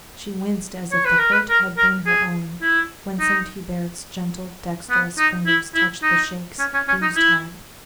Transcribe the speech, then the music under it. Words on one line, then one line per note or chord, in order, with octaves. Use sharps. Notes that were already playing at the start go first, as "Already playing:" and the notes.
She winced as if the hurt had been her own when Saint Hubert's gentle, dexterous fingers touched the Sheik's bruised head.
C#5
B4
A#4
B4
A#4
A#4
G#4
E4
D#4
B3
D#4
E4
E4
D#4
C#4
C#4
C#4
D#4
E4